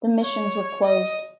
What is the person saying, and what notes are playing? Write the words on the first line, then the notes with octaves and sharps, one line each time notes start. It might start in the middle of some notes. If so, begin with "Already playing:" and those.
The missions were closed.
C#5
D#5